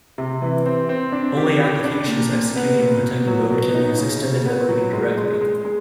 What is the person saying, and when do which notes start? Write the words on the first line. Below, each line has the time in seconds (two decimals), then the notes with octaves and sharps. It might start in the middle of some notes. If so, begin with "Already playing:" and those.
Only applications executing in protected mode can use extended memory directly.
0.18 C3
0.42 E3
0.66 C4
0.89 C4
1.12 D4
1.37 G4
1.60 G4
1.84 D4
2.08 A#2
2.32 A#2
2.56 B3
2.80 A#2
3.03 B2
3.27 F#3
3.50 B2
3.75 D#4
3.98 C#3
4.21 C#3
4.45 B3
4.69 F#3
4.93 G#3
5.17 G#3
5.41 G#3
5.65 G#3